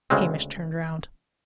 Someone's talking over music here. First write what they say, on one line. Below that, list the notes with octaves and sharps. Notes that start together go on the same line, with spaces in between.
Hamish turned round.
D2 C#3 G#3 C4